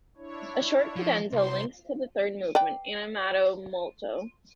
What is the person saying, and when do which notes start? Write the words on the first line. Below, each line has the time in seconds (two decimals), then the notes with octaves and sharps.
A short cadenza links to the third movement, "Animato molto".
0.17 D4 E4 C#5
0.96 F3
1.32 C2 C5 C6
2.55 B4 D5 G5